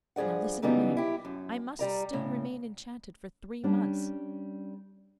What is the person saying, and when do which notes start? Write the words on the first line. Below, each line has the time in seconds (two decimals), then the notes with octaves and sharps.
Now listen to me: I must still remain enchanted for three months.
0.16 G2 F3 G#4 D5 F#5
0.62 F#2 C#3 E3 G3 B3 D#4
0.97 E4 G4
1.25 F#2
1.79 G3 D5 A#5
2.13 A2 C#3
3.64 G3 C#4 D4